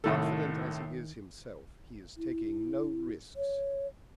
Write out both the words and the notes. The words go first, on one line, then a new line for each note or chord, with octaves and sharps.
Confident as he is himself, he is taking no risks.
C2 A2 D#3 A4
E4
C#5